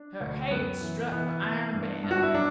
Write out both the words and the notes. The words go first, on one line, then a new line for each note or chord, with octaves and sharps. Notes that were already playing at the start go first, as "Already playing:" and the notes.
Her head struck the iron bed.
Already playing: D4
D2
F#2 B3
E3
E3 B3
E3
G2
G2
F#4
E4
F#3 D4